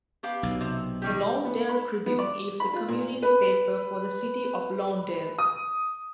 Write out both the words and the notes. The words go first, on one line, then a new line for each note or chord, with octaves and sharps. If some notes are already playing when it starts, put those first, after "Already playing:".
The Lawndale Tribune is the community paper for the City of Lawndale.
B3 G4 F5
B1
C3
D#3 G3 G4
B3
B5
B3
D5
B5
F4
A#2
B4
D#6